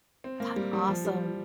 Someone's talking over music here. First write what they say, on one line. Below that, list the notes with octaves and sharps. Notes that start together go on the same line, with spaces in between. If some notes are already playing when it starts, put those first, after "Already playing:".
That's awesome.
C4
A#3
G3
G3
F3
G3